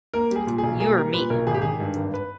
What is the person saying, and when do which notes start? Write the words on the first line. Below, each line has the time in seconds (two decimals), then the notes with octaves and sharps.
You or me?
0.14 A#3 A#4
0.31 G3 G#4
0.47 A#2
0.58 G#4
0.64 B1
0.80 A#3 G#4
0.97 G3 A#4
1.13 A#2 B4
1.30 B1 A#4
1.47 G#1 G#4
1.54 G4
1.62 D#3 G#4
1.80 G2
1.96 G#1
2.14 B4